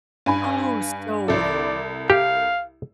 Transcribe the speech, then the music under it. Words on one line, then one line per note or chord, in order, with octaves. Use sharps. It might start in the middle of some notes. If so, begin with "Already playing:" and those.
Oh, so well.
G2 G#5 B5
C2 A4 D5
G4 F5